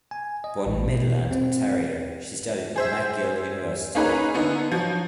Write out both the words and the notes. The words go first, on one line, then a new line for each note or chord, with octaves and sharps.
Born in Midland, Ontario, she studied at McGill University.
G#5
D#5
A1
B2
C4
G#4 C5 E5
A#3 C#4 D#4 G#4 B4 A#5
D3 B3 D#4
F3 F#3